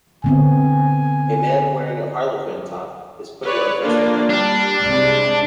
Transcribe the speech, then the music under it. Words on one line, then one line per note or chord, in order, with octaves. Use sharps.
A man wearing a harlequin top is putting on face makeup.
D3 B3 C4 G#5
B4 C#5 D5
A#3 D4 F4
G3 D4
C2 C3 G#3